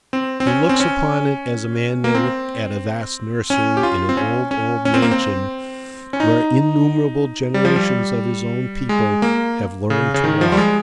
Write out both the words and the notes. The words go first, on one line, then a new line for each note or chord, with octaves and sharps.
He looks upon it as a man may look at a vast nursery in an old, old mansion where innumerable generations of his own people have learned to walk.
C4
C4
C#4
C4
C#4
A#3
C4
C#4
G4
F4
C4
C#4
C#4
C#4
C4
A#3
C4
C#4
D#4
G3
F3
G3
G#3
A#3
C#3
C#3
D#3
F3
G3
G#3